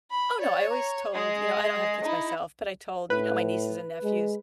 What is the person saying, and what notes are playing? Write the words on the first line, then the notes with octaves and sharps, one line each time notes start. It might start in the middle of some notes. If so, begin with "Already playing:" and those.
Oh no, I always told you know, I don't have kids myself, but I told, you know, my nieces and nephews,
B5
C#5 D5
A#5
G#3 G#4 D#5
D#4 E4
A2 B4
G#3